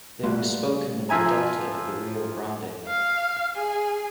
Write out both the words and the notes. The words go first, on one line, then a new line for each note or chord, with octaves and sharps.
They were spoken in the delta of the Rio Grande.
G3 A3 A#3 F#4 C6
F3 E5 G#5 A#5
F5
G#4